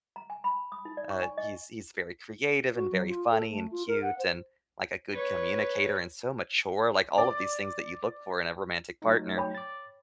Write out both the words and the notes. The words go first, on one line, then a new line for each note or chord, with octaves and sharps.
uh, he's he's very creative and very funny and cute and, like, a good communicator and so mature, like, all of these things that you look for in a romantic partner,
A#5
G#5
B5
D#6
D#4
D5
C#6
G#5
D#5
F#4
F#3
F4
A4
A3
F4
A#4
F#5
C5
B4 C#5
D5
F#3 A3 D#4
C#5 G5 B5
D6 A6